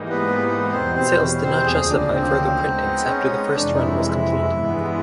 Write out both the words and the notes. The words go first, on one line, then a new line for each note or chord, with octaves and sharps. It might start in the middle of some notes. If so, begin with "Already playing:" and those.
Sales did not justify further printings after the first run was complete.
Already playing: G#2 E3 G3 A#3 D#4
B3 B4
E2 B2 G3 C4 C5
C4 C5
C#4 C#5
C4 C5
D2 C#3 F3 A#3 G#4
D4
C4
G#3 B3 D#4
C#4
F2 C3 E3 G#3 D4
D#4
E4
G2 E3 G#3 B3